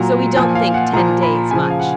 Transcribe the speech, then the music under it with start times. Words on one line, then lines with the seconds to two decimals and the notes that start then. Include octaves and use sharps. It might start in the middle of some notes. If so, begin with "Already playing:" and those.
"So we don't think ten days much."
Already playing: A#2 F#3 A#5
0.36 A#2 F3 G#5
0.55 F5
0.74 F#5
0.93 A#2 F3 A#5
1.22 B5
1.51 C#3 F3 G#5
1.70 F5
1.80 F#5